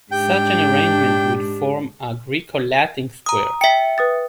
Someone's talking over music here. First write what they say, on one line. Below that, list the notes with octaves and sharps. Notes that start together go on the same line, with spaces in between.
Such an arrangement would form a Graeco-Latin square.
G#2 D4 G4 G5
A#5 D#6
E5 G5 B6 C#7
B4 D#6 A6